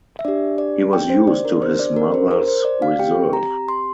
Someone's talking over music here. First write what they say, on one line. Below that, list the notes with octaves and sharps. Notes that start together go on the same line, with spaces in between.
He was used to his mother’s reserve.
E5
D4 G4 D5
D5
G5
C5
D5
A#4
C5
D5
A#4
C5
A#4
C5
D5
F5
C4 G4 G5
A#5
C6